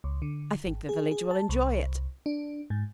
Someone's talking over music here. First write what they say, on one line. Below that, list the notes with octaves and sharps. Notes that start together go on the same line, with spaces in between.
"I think the village will enjoy it."
C#2
D3
G#1
G#4
G#4
A5
C2
D4
G#2